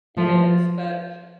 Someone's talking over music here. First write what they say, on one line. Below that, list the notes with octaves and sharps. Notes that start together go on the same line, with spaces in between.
It is. But
F3